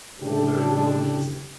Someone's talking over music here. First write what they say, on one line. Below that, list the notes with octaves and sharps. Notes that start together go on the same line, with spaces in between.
"All very well," she said.
A2 C#3 D4 G4